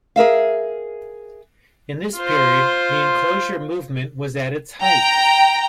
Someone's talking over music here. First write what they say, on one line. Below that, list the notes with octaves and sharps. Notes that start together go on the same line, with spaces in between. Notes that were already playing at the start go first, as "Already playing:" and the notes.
In this period, the enclosure movement was at its height.
G#4 A#4 E5 F5
F4 C5
G5 A#5